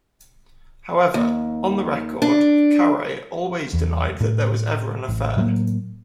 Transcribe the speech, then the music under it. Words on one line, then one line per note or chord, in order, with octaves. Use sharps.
However, on the record, Caray always denied that there was ever an affair.
D#2
D4
E2
A2
A1
A2 F#3 G3 A#3